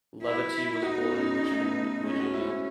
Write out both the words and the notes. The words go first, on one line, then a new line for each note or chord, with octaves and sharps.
Leverty was born in Richmond, Virginia.
E4
D#4 F#4
B3
C#4
C#4
C#4
A3
B3
B3
G#3 C#4
F#4
E4